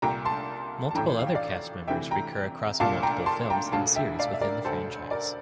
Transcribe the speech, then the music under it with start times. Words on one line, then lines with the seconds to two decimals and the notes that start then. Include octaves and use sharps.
Multiple other cast members recur across multiple films and series within the franchise.
0.02 C2 A#2 G5 A#5
0.25 A5 C6
0.91 A5
0.95 A1 A2 E3 G5 A#5
1.19 F5
1.27 G5
1.35 D5 F5
1.88 D2 C3 E3 E5 G5
2.11 G5 A#5
2.80 C2 A#2 F5 A5
3.03 G5 A#5
3.26 A5 C6
3.50 G5 A#5
3.72 E1 D2 D3 F5 A5
3.96 E5 G5
4.19 D5 F5
4.33 E5
4.41 A#4 D5
4.65 E1 D2 D3 A4 C5
5.11 A#4 D5